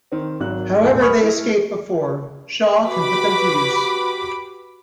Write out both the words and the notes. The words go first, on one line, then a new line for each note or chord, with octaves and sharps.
However, they escape before Shaw can put them to use.
D#3 C4
G#1 D#3 F#3 F#6
B1 E2 A2 A4 B4 G#5
G#5 B5 C#6 D#6 F6 C#7
E4
F#4 G4 B4 B5 D6